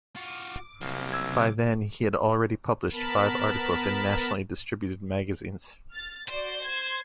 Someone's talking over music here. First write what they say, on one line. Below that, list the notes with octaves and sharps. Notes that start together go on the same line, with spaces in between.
By then he had already published five articles in nationally distributed magazines.
F4 F#4 D6
C2 F#2 C3 A#3 D6
E6 G#6
B3 A#4 A5 B5
F6 A6
F#4 C5 D5
C6 G#6